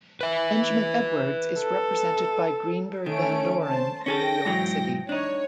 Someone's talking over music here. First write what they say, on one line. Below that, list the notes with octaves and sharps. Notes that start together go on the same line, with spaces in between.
Benjamin Edwards is represented by Greenberg Van Doren in New York City.
B4 E5
A4
D#3 A3 C#4 D7
C5 A5
C#4 G#4 A4 G5 A#6
G#2 E3 F#3
D4 D#4 C#5